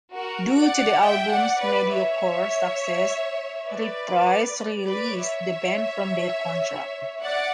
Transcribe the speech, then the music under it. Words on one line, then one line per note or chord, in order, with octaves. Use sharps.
Due to the album's mediocre success, Reprise released the band from their contract.
F#4 A#4
D5 F#5
E5 G5
D5 F#5
B4 D5
C#5 E5
B4 D5
B4 D5
C#5 E5
D5 F#5